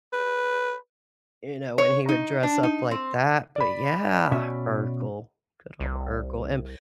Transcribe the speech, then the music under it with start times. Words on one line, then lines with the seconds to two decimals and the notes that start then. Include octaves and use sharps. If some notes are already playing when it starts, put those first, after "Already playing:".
You know, when he would dress up like that, but yeah, Urkel. Good ol' Urkel. And
0.13 B4
1.78 C#5
2.09 D#4
2.43 D4
2.63 D#4
2.91 C4
3.56 D5 B5
4.31 B2 C#4 E5
5.80 C2